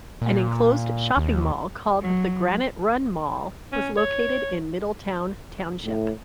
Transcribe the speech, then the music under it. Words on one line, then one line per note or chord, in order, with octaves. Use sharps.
An enclosed shopping mall called the Granite Run Mall was located in Middletown Township.
A#2
D#2
F#3
C#4
C#5
A2